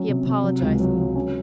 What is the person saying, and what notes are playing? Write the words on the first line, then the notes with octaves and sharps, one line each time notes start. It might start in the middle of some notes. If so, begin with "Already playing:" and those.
He apologized.
Already playing: F#3 C#4
C3
C3
F#3
C#2
F#3
F#3
C#4